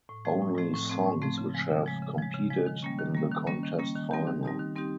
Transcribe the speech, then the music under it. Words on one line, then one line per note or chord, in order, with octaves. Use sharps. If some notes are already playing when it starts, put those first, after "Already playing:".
Only songs which have competed in the contest final.
A2
F3 A3 C4
A2
F3 A3 C4
A2
F3 A3 C4
A2
F3 A3 C4
C#3
F3 G#3
C#3
F3 G#3
C#3
F3 G#3
C#3
F3 G#3
D#3
G3 A#3 C#4
D#3
G3 A#3 C#4
D#3
G3 A#3 C#4
D#3
G3 A#3 C#4
D#3
G3 C4 D#4 G4
D#3
G3 C4 D#4 G4
D#3
G3 C4 D#4 G4